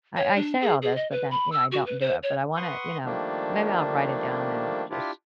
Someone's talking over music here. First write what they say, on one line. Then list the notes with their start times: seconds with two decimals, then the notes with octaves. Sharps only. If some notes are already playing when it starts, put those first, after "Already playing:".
I I say all this, but then, you know, I don't do it. But I wanna, you know maybe I'll write it down and just,
0.17 C#5
0.36 D4
0.62 G#4
0.82 G#4
0.96 D#5
1.11 B4
1.31 B5
1.52 E6
1.72 F#4
1.86 B4
2.00 C5
2.23 C#5
2.56 B4 F#5 C6 C#6 D#6
3.05 D#3 F3 G3 A3 A#3 D4
4.90 D4 E4 F4 G4